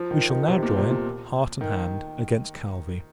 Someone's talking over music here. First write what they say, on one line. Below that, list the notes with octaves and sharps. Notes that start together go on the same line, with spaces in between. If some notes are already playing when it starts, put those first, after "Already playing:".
We shall now join, heart and hand, against Calvi.
Already playing: F3
D#3
D#3
C3
A#2
C3
A#2
D#3